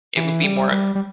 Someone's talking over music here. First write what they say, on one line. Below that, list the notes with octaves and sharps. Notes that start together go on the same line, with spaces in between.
It would be more
E3
G3
G3
G3